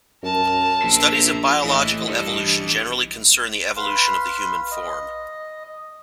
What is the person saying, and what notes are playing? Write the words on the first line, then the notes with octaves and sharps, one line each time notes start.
Studies of biological evolution generally concern the evolution of the human form.
F#2 A#4 A5
A#1 C5 E5
A#5
A2 E3 D#5
G2 E3 A4
B4 F5 B5 C6
D#5